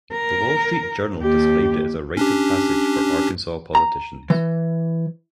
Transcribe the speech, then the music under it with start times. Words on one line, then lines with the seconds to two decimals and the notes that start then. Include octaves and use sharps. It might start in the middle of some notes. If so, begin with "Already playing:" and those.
"The Wall Street Journal" described it as a "rite of passage" for Arkansas politicians.
0.12 A#4
1.19 D#2 G4
2.17 C#4 D4 G4
3.75 A#5
4.30 E3